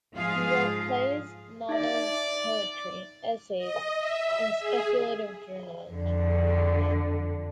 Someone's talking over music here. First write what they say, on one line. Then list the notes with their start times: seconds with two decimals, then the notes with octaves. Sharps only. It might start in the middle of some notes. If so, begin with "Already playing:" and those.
He wrote plays, novels, poetry, essays and speculative journalism.
0.14 G#2 F3 F4 G#4 F5
1.69 D#4 D5 E5
3.58 D#5
3.98 E5
4.59 G#4
5.91 F2 D3